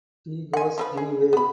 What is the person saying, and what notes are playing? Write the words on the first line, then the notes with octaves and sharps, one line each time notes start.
He goes anyway.
F#5 G#5
F3 A4 B4
G#4
B3 B5